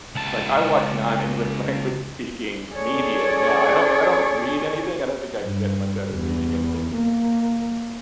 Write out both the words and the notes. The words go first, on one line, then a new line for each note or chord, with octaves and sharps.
like, I watch non-English language speaking media. Now, I don't I don't read anything, I don't think I can get much out of reading anything, just
C#2 A5
C#4 G#4 A4 C#5 D5
G2
E2
A#3